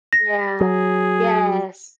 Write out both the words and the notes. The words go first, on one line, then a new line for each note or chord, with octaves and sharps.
Yeah. Yes.
A#6
F#3 G#4